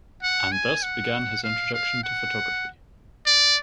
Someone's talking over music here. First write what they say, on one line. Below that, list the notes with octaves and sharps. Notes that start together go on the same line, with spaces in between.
And thus began his introduction to photography.
F#5
G#5
F#5
F5
F5
F#5
D5